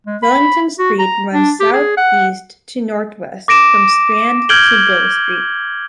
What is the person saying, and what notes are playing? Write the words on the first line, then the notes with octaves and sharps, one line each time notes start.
Wellington Street runs south east to north west from Strand to Bow Street.
G#3
B5
F#4
A#5
D4
G4
G#4
F#5
D6 A#6 D7 E7
F6 G6 G#6 D7 F#7 G7